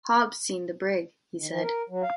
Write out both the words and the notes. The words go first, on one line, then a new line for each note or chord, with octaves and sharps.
"Hob's seen the brig," he said.
D#3
F3
A#4
F#3
F5